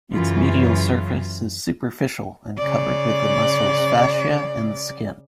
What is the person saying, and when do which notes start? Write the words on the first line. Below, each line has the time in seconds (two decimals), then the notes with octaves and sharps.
Its medial surface is superficial and covered with the muscle's fascia and the skin.
0.13 F#2 C#3 E3 F4
2.58 C#3 D5